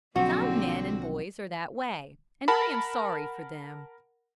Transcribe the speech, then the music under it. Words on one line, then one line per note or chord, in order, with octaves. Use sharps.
Some men and boys are that way, and I am sorry for them.
B1 D3 F3 F#3 A#3 C4 F#4
A#4 F#5 A5 B5